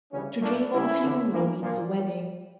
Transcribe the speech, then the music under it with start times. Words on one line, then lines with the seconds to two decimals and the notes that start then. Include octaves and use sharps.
To dream of a funeral means a wedding.
0.12 D2 C#3 E3 G3 C#4
0.42 A#2 A3 A#3 D4
0.72 F2 C#3 G3 A#3 C#4 E4
1.03 E2 D3 F3
1.32 G2 E3 A#3
1.62 A#2 F3 A#3